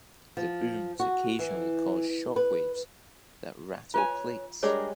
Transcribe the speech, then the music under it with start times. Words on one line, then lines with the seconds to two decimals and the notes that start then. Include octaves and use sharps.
The booms occasionally cause shock waves that rattle plates.
0.37 F3
1.00 F#4
1.39 E3
2.36 B4
3.94 F4 B4 C#5 G#5
4.63 G3 G#3 D4 G#4 A#4 C#5